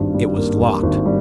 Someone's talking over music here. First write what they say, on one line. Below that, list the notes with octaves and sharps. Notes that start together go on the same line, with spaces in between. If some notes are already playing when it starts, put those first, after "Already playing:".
It was locked.
Already playing: G#1 G2
G3
A#3
G2
G#1
G3